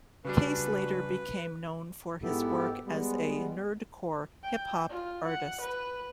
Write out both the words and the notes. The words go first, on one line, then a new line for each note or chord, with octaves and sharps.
Case later became known for his work as a Nerdcore hip hop artist.
C#3 G3 D4 F#4 B4
G#2 B3 E4 G4 A4
G3 G#3 B3
G5
F4
F#5
B4